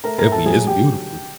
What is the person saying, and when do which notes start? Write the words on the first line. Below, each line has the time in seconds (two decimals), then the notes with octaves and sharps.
definitely it's beautiful,
0.04 A3 A#4 A#5
0.18 A#4 A#5
0.25 A2
0.32 A4 A5
0.46 F#3 G#4 G#5
0.66 F#3 G4 G5